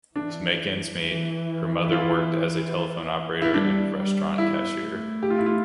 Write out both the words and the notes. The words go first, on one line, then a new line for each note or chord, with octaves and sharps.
To make ends meet, her mother worked as a telephone operator and restaurant cashier.
E3 D4
E3
E4
F4
E4
E4
G3 D4
G3
E4
A3
G4
F4
E4
F4